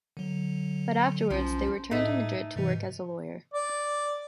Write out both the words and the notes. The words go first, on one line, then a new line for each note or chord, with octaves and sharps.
But afterwards they returned to Madrid to work as a lawyer.
D3 F#3
B1 F3 C#4
A2 A3 D#4
G#2 C3 E3
D5